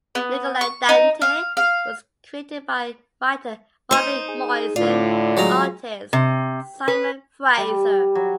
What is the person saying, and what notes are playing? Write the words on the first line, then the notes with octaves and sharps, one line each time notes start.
"Nikolai Dante" was created by writer Robbie Morrison and artist Simon Fraser.
B3
C#6
D#4
F5
F5
D#4 C5
G#4
A2 D3 F4 D5
F#3 G#3 A#5
C3
B4
G3
F#3